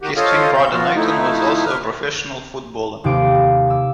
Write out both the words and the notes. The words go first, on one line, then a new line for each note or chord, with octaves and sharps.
His twin brother, Nathan, was also a professional footballer.
D#3 F#4 G4
F4 A4 C5 C#5 D#5 F5
C4 G6
F3 B3 F4 F#4
F3 A3 D#4 E4
B4 F6
D#2 C3 G4 F5 D6 D7
D6 E6